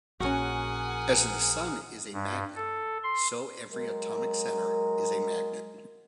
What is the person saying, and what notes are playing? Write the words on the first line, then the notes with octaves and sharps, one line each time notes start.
As the sun is a magnet, so every atomic center is a magnet.
A#1 C#4 F#4 G#4 A#4 F#5 G#5
G2
A4
C6
F#3 G#3 A#4